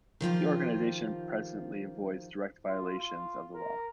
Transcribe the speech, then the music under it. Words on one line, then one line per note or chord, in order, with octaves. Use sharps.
The organization presently avoids direct violations of the law.
D#3 F3 F4 G4
F4
F4
A#4